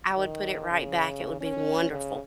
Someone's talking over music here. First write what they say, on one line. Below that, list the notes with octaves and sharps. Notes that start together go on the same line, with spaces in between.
I would put it right back, it would be wonderful.
D#3
C#3
C#4
C#3